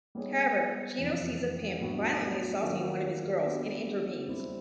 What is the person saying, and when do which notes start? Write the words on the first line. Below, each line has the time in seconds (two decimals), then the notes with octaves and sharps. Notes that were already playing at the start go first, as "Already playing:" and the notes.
However, Gino sees a pimp violently assaulting one of his girls and intervenes.
0.15 G3 B3 D#4 G#4 C#5
0.98 F2 C3 E3
1.79 A2 F#3 B3 D4 F#4
2.62 D#3 F#3 A#3 C#4 F#4
3.45 F#3 B3 D4 G4
4.27 G3 C4 E4 G4 C5